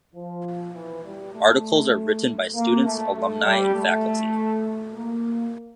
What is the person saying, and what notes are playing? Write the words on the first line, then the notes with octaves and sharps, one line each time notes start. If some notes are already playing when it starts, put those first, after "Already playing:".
Articles are written by students, alumni and faculty.
F3
E3
G3
A3
A#3
A3
A3
G3
A3
A#3